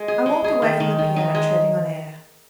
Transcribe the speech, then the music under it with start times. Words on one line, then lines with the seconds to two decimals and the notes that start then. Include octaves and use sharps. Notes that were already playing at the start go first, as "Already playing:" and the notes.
I walked away from the piano treading on air.
Already playing: G#3
0.08 G#4
0.26 G#3
0.44 G#4
0.62 D#3
0.80 D#3
0.99 D#3
1.16 D#4
1.35 G#3